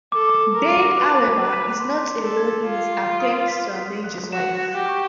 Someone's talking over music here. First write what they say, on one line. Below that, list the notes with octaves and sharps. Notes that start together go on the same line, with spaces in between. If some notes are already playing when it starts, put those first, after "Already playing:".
Ben, however, is not alone in his attempts to avenge his wife.
A4 D6
D6
A#4
D6
B4 D6
B6
B4
B6
C6
C6
A4
G#6
F4 G#6
C6
D#6
B6
B6
F#6
F#4 E7
E7
G4
C#6